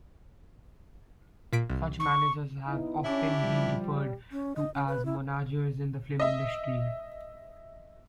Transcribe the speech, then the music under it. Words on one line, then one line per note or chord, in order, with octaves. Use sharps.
Such managers have often been referred to as "momagers" in the film industry.
A#2 B6 D7
C2
C#6
B3 D#4 E4
C#4 D4 E4 G4
F3 G3
C#4
D#5
C#4
B4
E4
D#5 E5